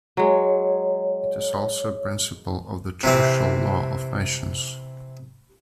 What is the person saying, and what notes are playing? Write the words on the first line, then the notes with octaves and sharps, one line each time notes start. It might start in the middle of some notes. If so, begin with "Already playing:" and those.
It is also a principle of the trucial law of nations.
F#3 G#3 C#5
C3 E3 C4